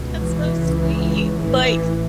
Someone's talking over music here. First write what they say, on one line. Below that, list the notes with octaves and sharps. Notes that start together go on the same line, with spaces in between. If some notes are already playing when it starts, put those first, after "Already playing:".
That's so sweet like,
Already playing: C#2 B2
E3
C#2 C#3
A1 A2 E3